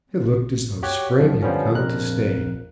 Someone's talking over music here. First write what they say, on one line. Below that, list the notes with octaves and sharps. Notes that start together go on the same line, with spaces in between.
It looked as though spring had come to stay.
A1
F#4 G4 C#5 F#6
B1 F#2 F3
D3 F3 G3 B3 C#4
A#1 F2 A#4 F#6